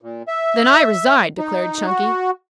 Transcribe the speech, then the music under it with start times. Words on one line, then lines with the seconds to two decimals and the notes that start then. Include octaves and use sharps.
"Then I resign," declared Chunky.
0.02 A#2
0.28 E5
1.38 D#4
1.86 F#4